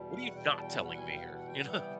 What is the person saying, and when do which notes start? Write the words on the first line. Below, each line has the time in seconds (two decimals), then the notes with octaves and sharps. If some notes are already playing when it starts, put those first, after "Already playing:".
"What are you not telling me here?" You know?
Already playing: E2 B2 G3
0.10 F5
0.23 F#5
0.35 G5
0.47 A5
0.60 G5
0.72 F#5
0.85 F#5
0.97 G#5
1.10 G5
1.16 F5
1.22 F#5
1.34 F#5
1.47 G5
1.59 C3 E3 G3 B3 F#5
1.76 G5